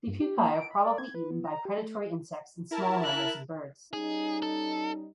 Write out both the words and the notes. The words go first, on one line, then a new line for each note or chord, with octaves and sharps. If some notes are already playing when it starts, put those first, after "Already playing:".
The pupae are probably eaten by predatory insects and small mammals and birds.
G2
G4
A#3
D7
B5
D5
G#6
B4
B3
A#5
G4
A3
E4 A#4 A5
E5 F#6
G3 C#4 D#4 G#4
A4